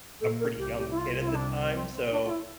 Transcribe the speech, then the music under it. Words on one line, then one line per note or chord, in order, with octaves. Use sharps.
a pretty young kid at the time, so
A#2 A#3 A4
A#4
C2 C3 G4
G4
E4
F4
F4
E4
D4
C4
C4
D4
F4
E4